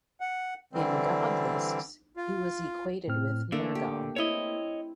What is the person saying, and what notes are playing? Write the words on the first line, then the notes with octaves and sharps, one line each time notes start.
In god lists he was equated with Nergal.
F#5
D3 E3 G3 C4
F4
A2 C4 F6
D3 A3 A#3 D4 A4
G4
C4 E4 C#5 D#5